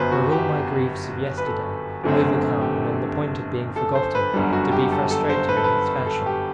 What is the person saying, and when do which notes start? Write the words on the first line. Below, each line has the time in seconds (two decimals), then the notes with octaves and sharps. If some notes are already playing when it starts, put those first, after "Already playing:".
Were all my griefs of yesterday, overcome and on the point of being forgotten, to be frustrated in this fashion?
Already playing: G1 F#2 F#3 B3 B4 C5
0.12 F#4
0.31 G4
1.38 B4
1.46 A4
2.04 G1 F#2 D3 A3 C4
2.61 G4
3.76 A4
3.95 C5
4.15 B4
4.34 G1 F#2 D3 G3
4.53 F#4
4.72 G4
4.92 A4
5.11 A4
5.29 C5
5.49 B4
5.57 A4
5.64 B4
6.06 A4
6.26 G4